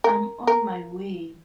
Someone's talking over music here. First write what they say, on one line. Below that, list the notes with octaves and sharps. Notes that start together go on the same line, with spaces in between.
I'm on my way.
A#4
A#4